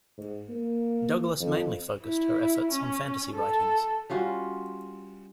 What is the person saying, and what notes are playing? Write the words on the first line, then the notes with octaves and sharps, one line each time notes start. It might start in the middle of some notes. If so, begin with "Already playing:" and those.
Douglass mainly focused her efforts on fantasy writings.
G#2
A#3
F2
E4
C#4
A4
G3 C#4 F4 F#4